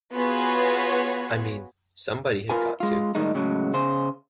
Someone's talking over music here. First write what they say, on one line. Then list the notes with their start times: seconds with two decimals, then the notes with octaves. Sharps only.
I mean, somebody had got to.
0.14 B3 F4 F#4 G#4 B4 C#5
2.50 F4 A#4 B4 G#5
2.80 G#3 F4
3.15 A2 D#3 G3 G#3 D#4
3.34 A2 C#3 F#3 G#3
3.74 C#3 G#4 C5